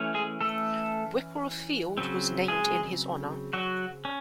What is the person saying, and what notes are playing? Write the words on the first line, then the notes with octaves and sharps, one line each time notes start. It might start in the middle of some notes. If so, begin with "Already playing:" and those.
Whipple Field was named in his honor.
Already playing: E3 A3 C#4
G#3 G#4
A3 A4
C#3 F#3 C4
G#3 G#4
F#3 F#4
C#4